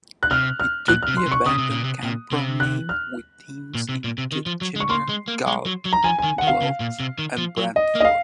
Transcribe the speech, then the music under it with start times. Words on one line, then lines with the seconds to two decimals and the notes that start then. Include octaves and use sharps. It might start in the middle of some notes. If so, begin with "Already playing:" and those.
It took the abandoned Canpro name with teams in Kitchener, Galt, Guelph, and Brantford.
0.23 F#6
0.31 C3 F6
0.60 F6
0.88 A#2 F#6
1.03 F6
1.08 C3
1.17 C6
1.27 C3
1.32 C#6
1.46 C#3 D#6
1.58 C3
1.71 A#2
1.84 C3
2.03 A#2
2.32 C3
2.60 F#6
2.89 F6
3.75 A#2
3.89 C3
4.04 A#2
4.18 C3
4.32 D#3
4.46 F3
4.61 F#3
4.76 G#3
4.80 C#6
4.89 A#3 C6
5.09 G#3
5.28 A#3
5.47 G#3
5.66 F#3
5.85 F#3
5.93 A#5
6.04 F3 G#5
6.19 D#3 G#5
6.38 D#3 F#5
6.47 F5
6.62 C#3
6.80 A#2
7.00 C3
7.18 D#3
7.38 F3
7.57 F#3
7.76 D#5
7.95 A#3
8.00 D#5
8.05 F5